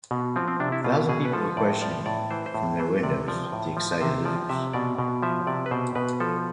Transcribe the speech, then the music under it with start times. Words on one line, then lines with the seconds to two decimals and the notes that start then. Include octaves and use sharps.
A thousand people were questioning, from their windows, the excited losers.
0.11 B2
0.36 F3 C4
0.48 C4
0.60 C3 D4
0.72 E4
0.84 B2 F4
1.09 B2 G#4
1.25 B4
1.33 F3 A4
1.57 A2 D5
1.81 F3 D5
2.06 A2 D5
2.31 E3 C5
2.46 C5
2.54 A2
2.79 E3 C5
3.03 C3 D5
3.28 F3 D5
3.52 A2
3.77 F3
4.01 C3 C5
4.25 F3 D5
4.49 C3 E5
4.73 B2 D5
4.99 B2
5.23 F3 E5
5.47 C3 D5
5.66 B4
5.71 B2 C5
5.95 B2 B4
6.20 F3 A4